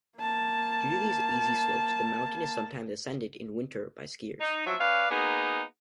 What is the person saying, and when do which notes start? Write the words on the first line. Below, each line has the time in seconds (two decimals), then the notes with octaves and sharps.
Due to these easy slopes, the mountain is sometimes ascended in winter by skiers.
0.18 A#3 A5
4.41 D#4
4.66 F3 F#3 E5
4.79 C#4 B4 D5 F5
5.11 A#3 B3 D#4 F#4 G#4